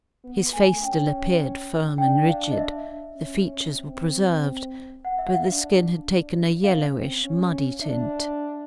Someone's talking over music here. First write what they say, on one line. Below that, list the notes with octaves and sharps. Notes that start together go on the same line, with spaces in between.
His face still appeared firm and rigid; the features were preserved, but the skin had taken a yellowish, muddy tint.
B3
A3 G#5
C#4 G5
D4 G5
F5
D#5
E5
C#4
C#4
C4
F#5
E5
F#5
F5
D4
D4
C#4 F5
C4
C#4
D4 E5